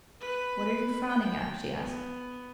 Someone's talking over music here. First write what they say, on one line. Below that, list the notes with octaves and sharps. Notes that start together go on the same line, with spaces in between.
"What are you frowning at?" she asked.
B4
G5
B3